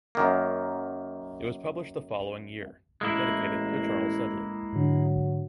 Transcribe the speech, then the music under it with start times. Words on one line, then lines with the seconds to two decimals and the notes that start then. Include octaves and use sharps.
It was published the following year and dedicated to Charles Sedley.
0.15 F#2 D#3 A#3
3.01 A1 G#3 A#3 E4
4.73 G#2 D3 F#3